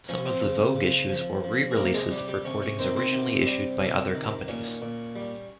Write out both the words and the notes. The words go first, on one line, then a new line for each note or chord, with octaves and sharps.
Some of the Vogue issues were re-releases of recordings originally issued by other companies.
F3 C#4 C#5
C4 C5
C#3
C#3
F3
F3
G#4
C3 A#3 A#4
G#3 G#4
G3 G4
G3 G4
C3 C#4 C#5
C#4 C#5
D#3 C4 C5
C4 C5
C3
G3
C3
D#3
A#2 C#4 C#5
A#2
G3